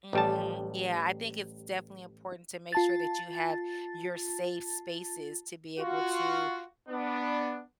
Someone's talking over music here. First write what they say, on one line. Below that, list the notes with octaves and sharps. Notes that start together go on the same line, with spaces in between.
Mhm, yeah, I think it's definitely important to make sure that you have your safe spaces to be able to,
A1 G3 A5
F4 A5 A6
F4 F#4
B3 D4